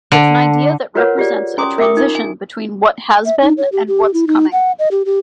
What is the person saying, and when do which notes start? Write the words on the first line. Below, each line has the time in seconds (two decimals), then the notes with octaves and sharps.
It's an idea that represents a transition between what has been and what's coming.
0.12 D3
0.95 F4 F#4 A#4 B4 C#5 F#5
1.18 F4 G4 G#4 D5
1.58 C#4 G#5 A#5 C6 D6 D#6
1.78 A#4 E5 G5 D6 D#6
1.97 D#4 F4
2.15 G#5
3.26 E5
3.41 D#4
3.58 C#5
3.72 G4
3.88 G4
4.14 E4
4.27 D#4
4.52 F#5
4.79 D#5
4.91 G4
5.06 G4